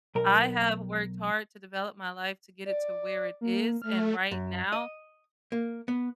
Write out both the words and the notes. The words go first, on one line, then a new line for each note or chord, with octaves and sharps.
I have worked hard to develop my life to get it to where it is, and right now,
B1 A#4
D5
A#3
A3 F6
F#2
D#5
A#3
B3